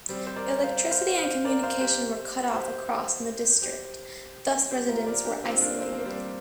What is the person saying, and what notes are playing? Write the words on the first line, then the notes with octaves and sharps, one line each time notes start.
Electricity and communication were cut off across in the district, thus residents were isolated.
G3 C4
C5
A#4 D5
C5 F5
C5 F5
C5 F5
A#4 D5
C5 F5
G4 C5
G4 C5
G4 C5
G4 C5
F4 A#4
A#4 D5
D4 G4
C4 F4
A#3 D4
C4
A#3
G3 C4